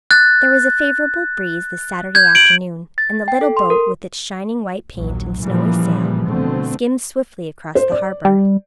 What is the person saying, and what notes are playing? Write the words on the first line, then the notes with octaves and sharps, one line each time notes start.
There was a favorable breeze this Saturday afternoon, and the little boat, with its shining white paint and snowy sail, skimmed swiftly across the harbor.
F#6 A6
G6 G#6
D7 F#7
A6
G5
A4
C6
A#4
A#1 D#2 F#3
A#2 C#3 E3 F3 G3 A#3
B2 D3 A3 C4
C5
D5
G3